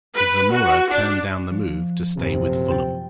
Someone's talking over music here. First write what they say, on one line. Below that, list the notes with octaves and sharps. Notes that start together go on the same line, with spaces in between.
Zamora turned down the move to stay with Fulham.
B4
F#4
D4
F3
A#1 F#2 C3
G5 A6